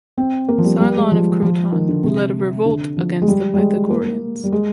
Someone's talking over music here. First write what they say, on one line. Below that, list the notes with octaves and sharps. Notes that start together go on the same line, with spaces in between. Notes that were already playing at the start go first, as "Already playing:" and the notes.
Cylon of Croton, who led a revolt against the Pythagoreans.
C4
A#3
F3
G3
G3
G#3
F3
F3
D#3
D3
C3
D3
F3
G#3
G3
G3
G#3
A#3
G3
G#3